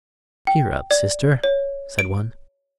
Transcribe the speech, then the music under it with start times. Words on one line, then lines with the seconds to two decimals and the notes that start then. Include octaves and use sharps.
"Cheer up, sister," said one.
0.47 G5
0.91 D5
1.44 C#5
1.99 D7